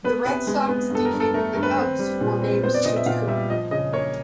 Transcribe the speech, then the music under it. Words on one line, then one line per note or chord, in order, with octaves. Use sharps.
The Red Sox defeated the Cubs four games to two.
B3 B4
C3 B4
G#3
B3
G2 A4
A#4
G2
A4
A3 A#4
G2 A#4
B4
C4
G3
A#2
C4
B3 C5
D5
A#2 D#5
E5
A#2 F5
G3 E5
F3 D#5
C#3 D#5
A#3 C#5